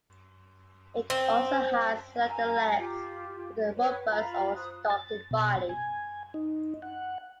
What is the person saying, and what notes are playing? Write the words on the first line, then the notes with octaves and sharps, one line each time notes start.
It also has slender legs with a robust or stocky body.
C4
G#5 A#5
F4 G4
B4 C#5
F4 A#5 B5
C5 D#6 F#6
A6
B2
G#5
D#4
F#5